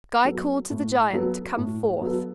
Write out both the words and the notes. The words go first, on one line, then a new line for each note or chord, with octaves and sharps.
Guy called to the giant to come forth.
F#3 B3 F#4 A4
A2
F#3 B3 F#4 A4
A2
F#3 B3 F#4 A4